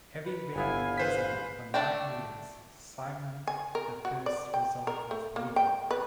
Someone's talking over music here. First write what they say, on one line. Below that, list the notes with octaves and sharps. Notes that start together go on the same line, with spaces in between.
Having been imprisoned for nine years, Simon the First's resolve was weakened.
B4
G1 B3 E4 F5 G#5
G#4 B4 C5 B6
A3 D4 D5 G5
G#5
A#4
F#4
D5
G5
A#4
A3
A#3
G5
B4